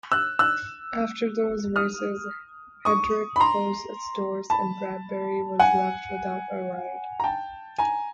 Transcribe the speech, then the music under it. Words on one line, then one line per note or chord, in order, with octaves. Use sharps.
After those races, Hedrick closed its doors and Bradberry was left without a ride.
E6 F#6
E6 F#6
D#6 F6
C#6 D#6
B5
A#5 C6
A5 B5
F#5 G#5
A#5
G5 A5
G#5 A#5